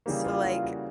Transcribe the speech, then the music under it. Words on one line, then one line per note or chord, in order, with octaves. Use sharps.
So like
C#3 E3 G3 A#3 G4
F4
F4
F#4